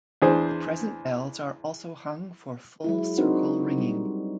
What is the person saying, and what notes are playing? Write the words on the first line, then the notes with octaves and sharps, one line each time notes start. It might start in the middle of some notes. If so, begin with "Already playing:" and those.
The present bells are also hung for full circle ringing.
E2 D4 G#4 C5
F#3 G#3 E4
C4 D4 D#4 F#4 A#4 C5
G3